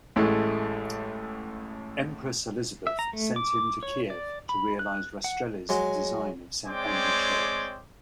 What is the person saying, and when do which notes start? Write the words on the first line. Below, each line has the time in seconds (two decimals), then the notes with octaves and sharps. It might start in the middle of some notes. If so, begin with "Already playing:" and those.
Empress Elizabeth sent him to Kiev to realize Rastrelli's design of Saint Andrew Church.
0.16 A1 A2 G#3 A3
2.87 E5
2.99 A#5
3.13 A3
3.36 D6
3.83 C#5
4.10 D5
4.49 B5
4.79 F#6
5.24 F#5
5.69 F#3 G#3
6.67 G#3 C4 C#5 D5 G5 D6